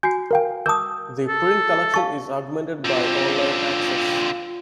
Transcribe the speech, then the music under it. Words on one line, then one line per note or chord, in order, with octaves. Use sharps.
The print collection is augmented by online access.
F#4 G#5 G6 C7
A#4 F5 G5
A#4 A5 D6 D#6 G6
A4
F5 A5 C#6 A6
D3 C4 F4